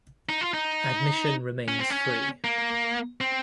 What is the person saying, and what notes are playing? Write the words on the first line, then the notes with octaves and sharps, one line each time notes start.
Admission remains free.
D#4
F4
D#4
C#4
C4
C#4
A#3
C4